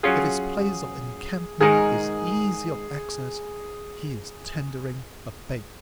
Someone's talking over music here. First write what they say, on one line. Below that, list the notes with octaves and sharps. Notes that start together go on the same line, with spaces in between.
If his place of encampment is easy of access, he is tendering a bait.
F#3 C#4 F4 G#4
G#2 D#3 G#3 D#4 G#4 A#4